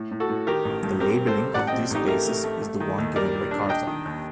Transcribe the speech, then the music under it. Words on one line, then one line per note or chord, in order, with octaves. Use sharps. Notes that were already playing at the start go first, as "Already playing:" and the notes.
The labelling of these spaces is the one given by Cartan.
Already playing: A2
A2
F#4 A4
A2
D#3 G4 A#4
A1
G2
C4 G4 A#4
C4
A4 C5
G3
A1 D5 F#5
D#5 G5
C4
A1 D#4 G4
A3 G4 A#4
A3
A3
A3
D#3
D#2
G3 A#4 D5
A#2
D4
D4 D#5 G5
D#3
D#2